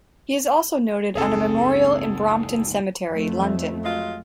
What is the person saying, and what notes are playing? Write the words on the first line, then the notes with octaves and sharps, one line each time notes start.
He is also noted on a memorial in Brompton Cemetery, London.
F#1 C#2 G#2 C4 G#4 A4
F2 A3
F#3 G#3 F4